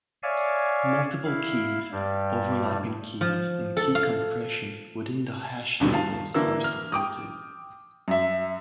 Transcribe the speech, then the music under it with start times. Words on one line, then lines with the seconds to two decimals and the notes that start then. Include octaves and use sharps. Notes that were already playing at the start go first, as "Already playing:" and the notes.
Multiple keys, overlapping keys and key compression within the hash tables are supported.
0.23 C#5 D5 E5 F5 G#5
1.25 E4 F5
1.92 G2 G3
3.21 F3
3.77 A4
3.95 F5
5.80 D#1 G2 B2 D3 D#3
5.93 F5 A5
6.34 D3 E3 A#3 E6
6.64 F6
6.92 G5 D6 D#6
8.08 F#2 E5